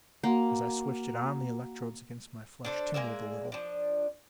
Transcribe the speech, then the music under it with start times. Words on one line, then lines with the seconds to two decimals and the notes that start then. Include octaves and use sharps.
As I switched it on, the electrodes against my flesh tingled a little.
0.23 A#3 F#4 F#5 A#5
2.65 D4 A4 C5
2.94 G#3 A#3 D5 E5
3.52 F3 D4